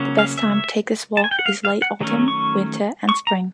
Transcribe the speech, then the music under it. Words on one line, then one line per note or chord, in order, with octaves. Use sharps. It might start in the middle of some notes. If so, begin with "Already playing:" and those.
The best time to take this walk is late autumn, winter and spring.
Already playing: C#3 F#3 A#3 C#4
F5
E5
A5
G#5
G5
F#5
F5
F5
F#5
D#3 F#3 A3 C#4
C#6
C#6
A#5